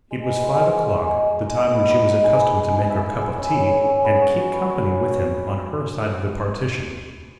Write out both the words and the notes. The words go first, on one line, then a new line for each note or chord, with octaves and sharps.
It was five o'clock, the time when she was accustomed to make her cup of tea and "keep company" with him on her side of the partition.
G#3
B3
G#3
G#3
G#3
G#3
G#3
G#3
D#4
D#4
B3
B3
D#4
G#4
B3
G#4
G#4
E5
E5
G#4
C#4
G#4
C#4
C#4
B3
C#5
F#4
B3
C#5